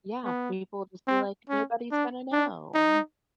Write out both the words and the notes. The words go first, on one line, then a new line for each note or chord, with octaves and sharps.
Yeah, people just be, like, nobody's gonna know, mm.
B3
C4
C#4
D4
D4
D#4